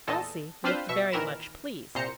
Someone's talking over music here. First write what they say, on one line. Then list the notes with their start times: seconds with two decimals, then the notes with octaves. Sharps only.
Elsie looked very much pleased.
0.07 E2 A#2 A4 D#5 A5
0.64 C4 D4 F4 B4 C5 F5
0.89 B2 E5 C#6
1.12 A#1 D#3 E3 A#4 B5 E7
1.95 C2 A#2 C5 A#5 C#7